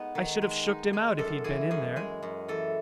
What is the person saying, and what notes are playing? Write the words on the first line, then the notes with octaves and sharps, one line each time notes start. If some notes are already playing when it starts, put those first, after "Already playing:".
"I should have shooked him out, if he'd been in there!"
Already playing: G#3 B3 D#4
D#3
G#3
D#4
G#3 G#4
F#2 A4
E3 G#4
F#2 G#4
G#3 G#4
F#2
E3 A4